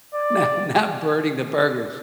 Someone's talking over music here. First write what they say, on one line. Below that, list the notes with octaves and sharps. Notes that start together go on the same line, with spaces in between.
not not burning the burgers.
D5